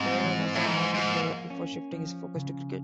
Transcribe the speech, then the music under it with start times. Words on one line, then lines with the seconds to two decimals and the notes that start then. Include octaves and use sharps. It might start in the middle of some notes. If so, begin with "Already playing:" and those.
Taylor was a hockey player before shifting his focus to cricket.
Already playing: G#2 G3 C4
0.24 E3
0.55 A2
0.65 G#2 F3
0.94 G#2
1.09 A#3
1.50 C#4
1.92 F3
2.35 C#3